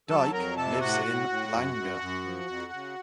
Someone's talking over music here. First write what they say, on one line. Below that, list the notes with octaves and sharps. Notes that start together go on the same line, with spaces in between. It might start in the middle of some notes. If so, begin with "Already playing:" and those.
Dike lives in Langa.
F#3 A4 A5
F2 A#4 A#5
C3 A4 A5
A2 F#4 F#5
A2
A2
F#2
F#2
F#2
F3
F2
C#3